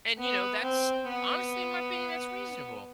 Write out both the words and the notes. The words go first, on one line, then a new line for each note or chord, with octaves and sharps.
And, you know, that's honestly, in my opinion, that's reasonable.
B3
C4
B3